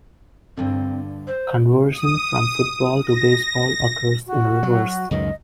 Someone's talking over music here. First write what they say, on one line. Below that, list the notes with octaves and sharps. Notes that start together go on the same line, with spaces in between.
Conversion from football to baseball occurs in reverse.
G2 D3 C4
C5
D#6
A#6
F#4
F#3
C#2 F#2 D#3 D#5